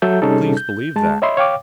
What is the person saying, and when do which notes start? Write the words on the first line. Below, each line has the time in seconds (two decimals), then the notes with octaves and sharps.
"Please believe that."
0.02 F#3 A4 E5 G6
0.22 C3 G3 C#4 D#4 G#4 A4
0.57 G6
0.96 G#3 A5
1.22 C#5 D#5 E5 B5 C6
1.37 C#5 F5 G5 D6